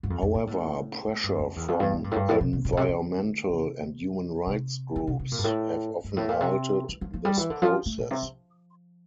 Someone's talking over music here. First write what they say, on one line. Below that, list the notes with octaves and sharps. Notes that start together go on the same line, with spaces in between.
However, pressure from environmental and human rights groups have often halted this process.
G2
F2
F2
A#2
A2
A2
G2
F2
E2
F2
G2
A2
G2
A2
G2
A2
C3
C3
C3
A#2
C3
D3
C3
C3
D3
C3
C3
A#2
G2
A2
G2
A2
A#2
C3
E3
F3
F3
G3
E3
D3
F3
A3
A#2
C3
F3